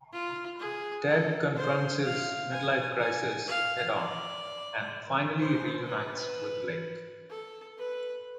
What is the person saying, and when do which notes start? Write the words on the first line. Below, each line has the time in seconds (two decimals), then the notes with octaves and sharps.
Ted confronts his midlife crisis head-on and finally reunites with Blake.
0.13 F4
0.60 G#4
1.08 A4
1.56 C5
2.04 F5
2.51 G#5
3.00 G#5
3.48 F5
3.95 D5
5.39 C5
5.86 B4
7.30 A4
7.78 B4